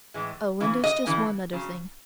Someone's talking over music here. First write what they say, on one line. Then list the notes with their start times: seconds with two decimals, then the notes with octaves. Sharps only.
Oh, and there's just one other thing.
0.14 A2 E3 G#3
0.60 C#3 E3
0.84 D#5
1.06 C#3 E3
1.53 C#3 F#3